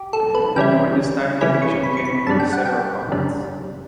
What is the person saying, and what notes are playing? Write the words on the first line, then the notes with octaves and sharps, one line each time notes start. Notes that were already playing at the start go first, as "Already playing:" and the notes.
During this time the division came under several commands.
Already playing: G4
A4
B4
C#3 E3 G3 C#4 E4 G5
C#3 E3 G3 C#4 E4 B5
C#6
B5
C#6
B5
F#2 C#3 G3 D4 A5
G5
F#5
G5
F#2 C#3 G3 D4